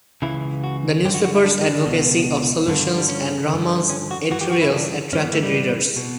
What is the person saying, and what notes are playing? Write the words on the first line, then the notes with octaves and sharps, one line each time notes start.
The newspaper's advocacy of solutions and Rahman's editorials attracted readers.
C#2 C#3 E3 E4
F#4
G2 D3 G4
F#4
F#4
E4
D4
D4
C#2 B2
G2 D3
G3
C#4
G2 D3
C#4
F#4
G2 E3 F#4
G4
F#4
E4
D4
G2 E3 C#4
B3
A3
G3
B2